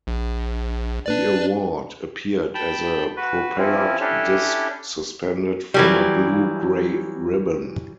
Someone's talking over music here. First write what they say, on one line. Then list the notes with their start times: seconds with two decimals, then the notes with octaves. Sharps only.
The award appeared as a propellered disc suspended from a blue-grey ribbon.
0.07 A#1
1.06 D4 B4 D5
2.55 G5 A5 B5
3.17 F#4 B4
3.58 F3 C4 C#4 E4
4.01 C#4 D4 E4 G4 A4
5.74 E3 F#3 G3